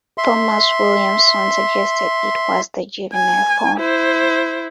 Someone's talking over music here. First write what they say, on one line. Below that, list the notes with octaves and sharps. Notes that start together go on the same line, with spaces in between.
Thomas Williamson suggested it was the juvenile form.
E5 C6
G#5
E4 C5